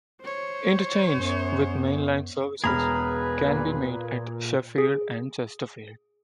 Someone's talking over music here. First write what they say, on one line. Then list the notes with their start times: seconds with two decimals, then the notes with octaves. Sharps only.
Interchange with mainline services can be made at Sheffield and Chesterfield.
0.21 C5 C#5
1.15 F#2 B3
2.64 E1 G#4 B4 A#5 B5 F6
3.48 A#2
4.78 G#4